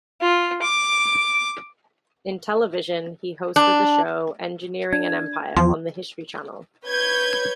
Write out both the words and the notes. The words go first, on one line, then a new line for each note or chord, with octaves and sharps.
In television, he hosted the show "Engineering an Empire" on the History Channel.
F4
D6
D4
D4 G#6
E2 F3 C6
B4 C#5 G6 G#6